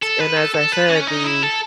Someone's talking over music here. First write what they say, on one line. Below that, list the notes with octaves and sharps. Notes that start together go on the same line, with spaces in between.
and, as I said, the
A4
B4
A4
A4
B4
C#4
D#4
E4
A4